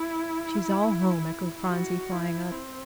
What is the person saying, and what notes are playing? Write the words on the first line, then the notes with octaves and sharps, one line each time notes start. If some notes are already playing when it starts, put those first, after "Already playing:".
"She's all home," echoed Phronsie, flying up.
Already playing: E4
F#4
E4
C4